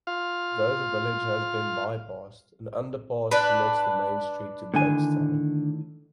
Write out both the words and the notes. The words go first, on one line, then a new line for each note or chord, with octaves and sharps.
Though the village has been by-passed, an under-pass connects the main street to Blakestown.
F4 F5
D4 B4
A2 D3 D#3 G#5